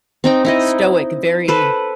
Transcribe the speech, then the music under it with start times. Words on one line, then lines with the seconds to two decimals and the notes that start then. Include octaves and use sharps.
stoic, very,
0.24 C4 D#4 G5
0.45 D#4 E4 D#5
1.48 A4 B4 C5